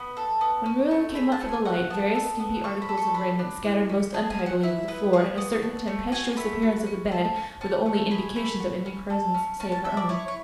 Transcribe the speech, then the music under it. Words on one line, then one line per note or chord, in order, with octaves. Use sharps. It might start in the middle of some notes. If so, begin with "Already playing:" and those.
When Marilla came up for the light various skimpy articles of raiment scattered most untidily over the floor and a certain tempestuous appearance of the bed were the only indications of any presence save her own.
Already playing: B3 B5
A4
B3
C#4
A3
G#4 B5
A5
A3
G#5
F#4 F#5
B3 A5
A4
B3
A4 C#6
B5
A4
C#6
D4 B5
D4
E4
C#4
G#4 A5
G#5
C#4
F#5
E4 E5
B3 B4
G#4 C#5
B3
D4
A3
F#4 G#5
A3 B5
F#4
C#4
A4 A5
C#4
C#4 A5
A3
G#4 B5
A3 B5
F#4
C#4
A4
C#4
C#4 A5
A5
A4 E5
D5
E4 C#5
C#5